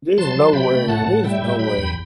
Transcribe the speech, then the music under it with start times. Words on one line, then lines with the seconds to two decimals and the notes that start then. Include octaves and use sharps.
There's no way, there's no way.
0.18 F#3 A5 C6
0.36 F#3
0.53 C3 G5 B5
0.71 A3
0.88 A2 F#5 A5
1.06 A2
1.24 G3 E5 G5
1.42 A2
1.59 F#3 G5 B5
1.78 E2